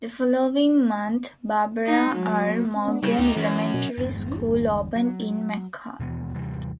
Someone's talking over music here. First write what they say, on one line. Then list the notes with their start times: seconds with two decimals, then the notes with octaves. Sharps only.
The following month Barbara R. Morgan Elementary School opened in McCall.
1.86 D#4
2.15 F#3
2.88 B3
3.03 C#3 G3
3.19 D2 D#4 G4
3.36 F#2 E3
3.74 B2
3.98 G1 E2 G2
4.96 F#3
6.00 D#2 B2 E3 B3
6.34 D#2 C3 E3 G3